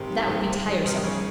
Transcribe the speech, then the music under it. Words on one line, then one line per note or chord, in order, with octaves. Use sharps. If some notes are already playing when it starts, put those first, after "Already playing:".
That would be tiresome.
Already playing: G#1 C3 D#3
G3
G#1
G3
G#1
F1 C3 D#3
D#2 C#3